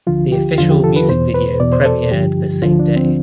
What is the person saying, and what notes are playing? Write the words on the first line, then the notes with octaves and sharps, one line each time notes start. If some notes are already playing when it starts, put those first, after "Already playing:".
The official music video premiered the same day.
D2 D3 F3 F4
G4
E2 D3 F3 F4
G4
A4
B4
E2 B2 C5
B4
E2 B2 D5
C5
A4
G2 D3 F3 G4
D2 D3 F3 F4
D4
C4